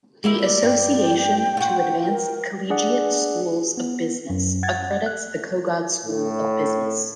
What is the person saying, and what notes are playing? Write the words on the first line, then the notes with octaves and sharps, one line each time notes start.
The Association to Advance Collegiate Schools of Business accredits the Kogod School of Business.
G3 A#3 E4
D5
G2 G5
F4 F#4
A#4
D4 G#4 D5 F#5
B3
F#2
F#5 G#6 A6
F#6
A2